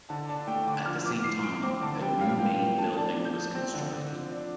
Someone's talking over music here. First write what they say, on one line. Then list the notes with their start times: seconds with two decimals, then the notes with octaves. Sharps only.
At the same time, a new main building was constructed.
0.09 D3 A5
0.29 D4 A5
0.47 A3 G5
0.67 D3 D6
0.86 F3 F6
1.05 F3 D6
1.24 A2 C7
1.43 A2 D7
1.62 C4 D6
1.81 D3 A5
2.01 G3 G5
2.20 G3 F5
2.40 F3 G5
2.58 A2 G5
2.78 A2 A5
2.96 D4 A5
3.17 F3
3.25 G6
3.35 F3
3.55 C4
3.74 D3
3.93 D3
4.12 F3
4.32 D4